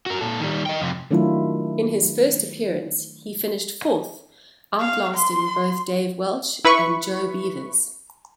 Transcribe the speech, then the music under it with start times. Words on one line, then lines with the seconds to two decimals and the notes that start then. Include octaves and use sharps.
In his first appearance he finished fourth, outlasting both Dave Welch and Joe Beevers.
0.06 F#4 A#4
0.21 A#2 A4
0.40 D#3 G3
0.66 D#5 G5
0.81 F2 C3
1.11 D#3 F#3 A3 D4 E4 F4
4.79 F5
5.14 C6
6.65 E4 B4 B5 C#6